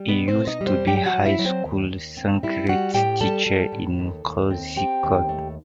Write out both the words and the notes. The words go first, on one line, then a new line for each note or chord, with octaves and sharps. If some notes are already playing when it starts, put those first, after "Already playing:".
He used to be high school Sanskrit teacher in Kozhikode.
Already playing: G3
B2 B3 B4
C4 C5
B2
D#4 D#5
G3
C4 C5
F#3 G4 G5
G5
F#4 F#5
F#3
E4 E5
F#3
C4 C5
D#2
D#2
C4
G3 E4 E5
G3 F#4 F#5
A2 G4 G5
G3 A4 A5
G3
A2
D#2
D#2
C4
C4 G4 G5
D#2
A3